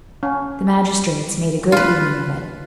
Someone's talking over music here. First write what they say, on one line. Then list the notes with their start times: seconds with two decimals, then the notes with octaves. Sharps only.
The magistrates made a good evening of it.
0.23 C#4
1.72 F4 B4